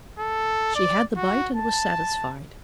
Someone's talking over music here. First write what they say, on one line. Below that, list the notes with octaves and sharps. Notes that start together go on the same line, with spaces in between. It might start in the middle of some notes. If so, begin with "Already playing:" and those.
She had the bite and was satisfied.
A4
D5
F#4
A5